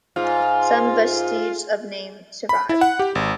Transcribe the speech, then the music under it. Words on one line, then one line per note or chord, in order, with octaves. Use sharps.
Some vestiges of the name survive.
G#2 F4
B5
E4
F#5
G4
G#1